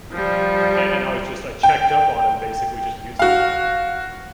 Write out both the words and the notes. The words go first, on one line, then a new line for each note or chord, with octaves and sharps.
and and I was just I checked up on him basically just using that
F3 G3
G5
F#4 F5